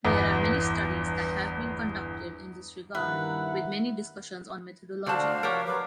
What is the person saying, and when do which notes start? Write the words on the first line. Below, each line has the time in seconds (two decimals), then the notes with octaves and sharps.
There are many studies that have been conducted in this regard, with many discussions on methodology alone.
0.05 G1 E2 B3 D6
2.95 G2 D#3 A#3 E4 B4 F#5
5.07 D3 D4 F#4 C5 F5 A5
5.22 A3
5.43 G4 A#4 C#5 F#5 A5
5.67 F#3 B4 F5 D6